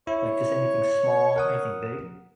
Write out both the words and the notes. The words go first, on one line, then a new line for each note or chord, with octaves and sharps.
Like, just anything small, anything big?
E4 C#5
A#4 F#5 D#6